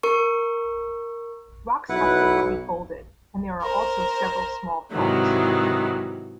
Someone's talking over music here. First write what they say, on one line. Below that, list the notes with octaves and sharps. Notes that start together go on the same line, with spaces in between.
Rocks are frequently folded, and there are also several small faults.
A#4 C#6
B1 E4 B4 F#5
A#4 C5
G#2 C3 D#3 E3 F#3